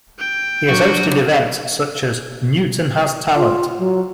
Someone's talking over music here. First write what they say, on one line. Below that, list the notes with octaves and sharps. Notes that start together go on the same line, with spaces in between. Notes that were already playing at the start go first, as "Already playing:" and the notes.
He has hosted events such as Newton Has Talent.
G5
F#3 D4 F#4
F4
F#3